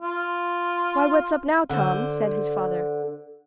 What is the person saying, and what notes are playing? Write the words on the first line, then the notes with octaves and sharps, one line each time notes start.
"Why, what's up now, Tom?" said his father.
F4
D3 C5